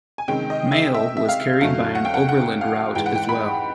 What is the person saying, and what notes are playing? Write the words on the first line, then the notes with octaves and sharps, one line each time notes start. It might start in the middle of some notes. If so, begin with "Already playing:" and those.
Mail was carried by an overland route, as well.
G#5
C3 D#3 G#3 C#4 G5
D#5
E5
E5
E5
F5
F2 D3 F#3 A3 C#4 F5
F#5
G5
F#5
F#5
F5
G#2 E3 G#3 G5
F#5
G5
B5